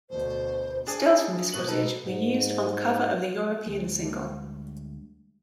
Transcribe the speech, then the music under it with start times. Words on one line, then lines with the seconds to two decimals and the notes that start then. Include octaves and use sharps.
Stills from this footage were used on the cover of the European single.
0.10 D2 B2 C5
0.87 D4 G#4
1.52 B2 B4 F#7
1.68 B2 D#4 A4 B4
2.01 G#2
3.66 D2 G3 G#3